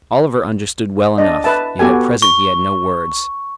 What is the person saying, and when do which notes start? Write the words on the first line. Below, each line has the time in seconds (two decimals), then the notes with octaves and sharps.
Oliver understood well enough, yet at present he had no words.
1.18 D4 D5 D#5
1.44 B4 E5 A5
1.79 B3 F#4 G4 A4 G#5
2.22 C#6